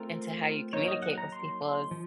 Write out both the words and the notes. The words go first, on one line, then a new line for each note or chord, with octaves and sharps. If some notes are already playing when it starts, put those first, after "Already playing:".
into how you communicate with people is
Already playing: A3 C4 F4 A#4
F#3 A#3 D#4 C#5
D#5
F#5
A#5
C6
C6
F3